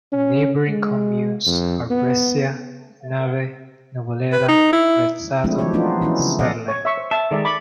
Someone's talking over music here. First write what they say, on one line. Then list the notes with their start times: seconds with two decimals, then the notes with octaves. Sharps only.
Neighbouring communes are Brescia, Nave, Nuvolera, Rezzato and Serle.
0.12 C#4
0.68 G#3
1.46 F2
1.90 B3
4.32 B4
4.48 D#4
4.73 E4
5.44 F3 G#3 A3 C4 D4 E4
5.59 E3 F#3 C4 G4 C#5
5.73 F3 A3 B3 D4 D#4 F4
6.01 E3 C#4 E4
6.19 C#3
6.39 A#2 A4 D5 D#5 F5 F#5
6.68 C#5
6.85 E5 C#6
6.97 C5
7.11 E5 A5
7.31 D#3 G#3 A4 D5 E5
7.45 D5 B5 C#6 D6